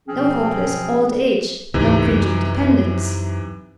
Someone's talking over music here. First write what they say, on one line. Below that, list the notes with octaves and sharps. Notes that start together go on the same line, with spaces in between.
No hopeless old age, no cringing dependence!
B2 F3 C4 C#4 G#4
D2 G#2 C3 E3 D#4
F#2